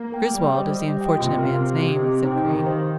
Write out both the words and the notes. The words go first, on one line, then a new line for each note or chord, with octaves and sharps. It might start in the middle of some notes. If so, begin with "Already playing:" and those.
"Griswold is the unfortunate man's name," said Green.
Already playing: A#3
A#4 G5
G3 G4
C5 D#5
G4
D#5 G5
C3 F4
A#4 F5
C4
G4 D#5
C4
D#4 C5 D#5 G5
D#3 G4
C5 F5